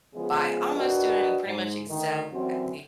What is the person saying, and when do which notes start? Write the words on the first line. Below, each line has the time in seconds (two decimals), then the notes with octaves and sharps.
by almost doing pretty much exactly
0.14 C#3 F3 G#3 B3 G#4
0.75 D4 F#4 G4 A#4 B4 D#5
1.46 G#2
1.87 D2 D#3
2.30 F#2 E3 G3 C4 F#4